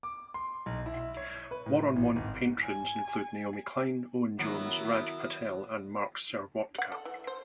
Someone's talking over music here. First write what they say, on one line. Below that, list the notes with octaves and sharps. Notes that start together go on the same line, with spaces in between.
War on Want patrons include Naomi Klein, Owen Jones, Raj Patel and Mark Serwotka.
D6
C6
B1
E4
C#5
B4
A2
A1
G#1
G#5
D#3 F#3 B3 E4
F#5
A4
E3
C5